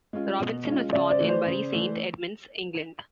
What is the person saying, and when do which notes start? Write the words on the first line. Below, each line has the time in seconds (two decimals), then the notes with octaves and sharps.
Robinson was born in Bury Saint Edmunds, England.
0.13 G#3 C#4 F4
0.40 B2
0.66 G#3 C#4 F4
0.93 C#3 D5 E5
1.10 C5 D5
1.20 E3 A3
1.28 C5 D5
1.46 C#3
1.73 E3 A3